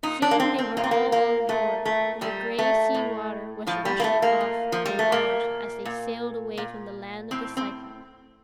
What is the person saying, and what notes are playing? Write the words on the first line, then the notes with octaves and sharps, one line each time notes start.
Soon they were all on board, and the gray sea-water was rushing off their oars, as they sailed away from the land of the Cyclopes.
A#2 D#4
D4
A#3
C4
C4
A#2 A#3
C4
A#3
A#3
A#2 A3
A3
A#2 G3
A3
A2
A2 F3
G3
A#3
A3
A#3
A#2
F3
G3
A3
A#2 A#3
A#2
A#2
A2 C4
C4